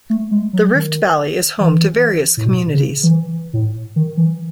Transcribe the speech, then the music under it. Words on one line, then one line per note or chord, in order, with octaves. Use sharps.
The Rift Valley is home to various communities.
A3
G#3
F#3
D#3
E3
A2
B2
C#3
E3
A2
D#3
E3